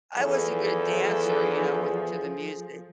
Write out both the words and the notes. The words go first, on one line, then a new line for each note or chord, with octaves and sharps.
I was a good dancer, you know, with to the music.
E2 F3 G#4 A4